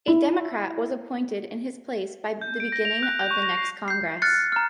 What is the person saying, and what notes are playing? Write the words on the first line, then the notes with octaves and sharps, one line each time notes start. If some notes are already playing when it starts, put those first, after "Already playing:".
A Democrat was appointed in his place by the beginning of the next Congress.
E4
G6
D7
A#6
F7
F#6
G6
C#6
A#6
C7
G6 C7
F6 F#6 A6 C#7
A#5 F6